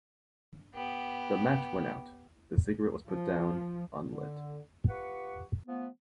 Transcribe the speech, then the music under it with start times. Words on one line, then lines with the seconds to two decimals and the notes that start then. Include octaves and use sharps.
The match went out, the cigarette was put down unlit.
0.74 B3 G4
3.09 F3
4.11 D3
4.89 F4 G4 B4 F#5 C#6
5.67 F3 A3 B3